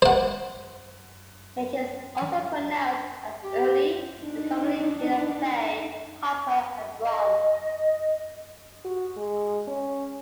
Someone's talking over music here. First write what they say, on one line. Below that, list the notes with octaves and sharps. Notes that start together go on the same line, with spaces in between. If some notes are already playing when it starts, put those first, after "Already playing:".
It is also pronounced as Urli and commonly made of clay, copper and bronze.
C5 F#5
G4
D4 D#4
D#5
F#4
G#3
C#4